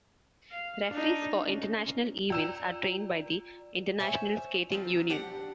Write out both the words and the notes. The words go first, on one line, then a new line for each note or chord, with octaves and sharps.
Referees for international events are trained by the International Skating Union.
F5
D4 D#4
C#4
F4 D5 G5 A#5 E6 E7
C5 C#5 E5 G#5
F3 F#3 C4
D4 G4 F#5